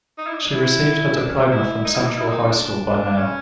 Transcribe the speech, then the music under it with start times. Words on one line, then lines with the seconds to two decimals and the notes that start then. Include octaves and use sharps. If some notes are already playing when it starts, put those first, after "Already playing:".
She received her diploma from Central High School by mail.
0.18 D#4
0.27 E4
0.35 D#4
0.43 D4
0.52 E4
1.18 D4
1.29 C#4
1.51 E4
1.85 D#4
1.95 E4
2.06 D#4
2.17 E4
2.29 D#4
2.39 D#4
2.50 D4
3.17 C#4